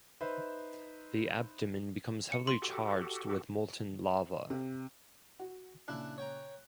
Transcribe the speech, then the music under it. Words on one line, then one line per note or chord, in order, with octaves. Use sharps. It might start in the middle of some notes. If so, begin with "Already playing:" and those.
The abdomen becomes heavily charged with molten lava.
D#4 B4 C5 E5
C#7
C6
F#4 G4 A4
C3
F#4
A#2 C#3 D4 E4 F#6
C#5 G5 A#5